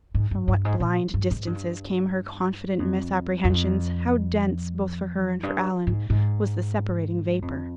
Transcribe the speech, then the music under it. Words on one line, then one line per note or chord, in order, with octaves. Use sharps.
From what blind distances came her confident misapprehensions, how dense, both for her and for Allan, was the separating vapor!
G#2
G2
G2
G#2
A#2
G2
G#2
G2
F2
F2
G2
G#2
G#2
F2